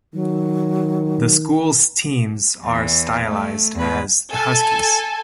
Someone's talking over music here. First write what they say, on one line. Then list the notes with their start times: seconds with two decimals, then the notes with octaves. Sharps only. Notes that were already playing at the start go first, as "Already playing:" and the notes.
The school's teams are stylized as the Huskies.
0.14 D#3 F#3
2.62 E2 E3
3.24 A3
3.75 E2 B4
4.30 A4 G#5 A5